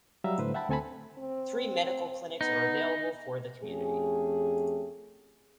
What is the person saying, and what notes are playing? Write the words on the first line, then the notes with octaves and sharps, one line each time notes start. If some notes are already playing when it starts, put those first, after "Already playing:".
Three medical clinics are available for the community.
F#3 G3 E5 F5 A#5 E6
A2 D3 B4 C5
E5 F#5 G5 A5 B5
D2 C4 A4 G#5 A5 B5
C4
B3 D#4
F2 A3 C#4 G4 G#4